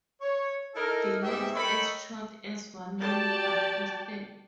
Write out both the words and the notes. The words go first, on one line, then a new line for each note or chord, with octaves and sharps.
Delays as short as one minute are posted.
C#5
D#4 E4 A4 A#4
G#2 G#3 G4 E5
A4 A#4 C#5 D#5 G5 B5
F#4 G4 D5 G5 A5